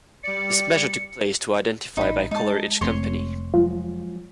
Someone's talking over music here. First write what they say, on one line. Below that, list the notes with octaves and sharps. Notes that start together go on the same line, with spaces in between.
This measure took place to identify by color each company.
G3 D5 C#7
A1 D#4 B5
G#3 D#4 A5
F1 A3 C4 C#5 C6
F3 F#3 G#3 F4